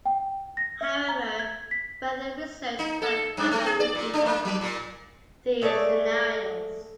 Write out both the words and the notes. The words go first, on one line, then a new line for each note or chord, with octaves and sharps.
However, further research found problems with each of these scenarios.
G5
A#6
E5
A#5
G#6
B6
D#4
A4
G2
A3
G#4
D5
A#2
D4
A#3
F#3
A#2
G#3 A3 A4 C#5 D5